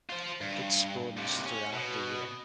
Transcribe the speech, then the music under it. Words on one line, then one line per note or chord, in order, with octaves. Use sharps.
It spawns throughout the year.
F4 C5
G2
D#2 C3
C#4
B2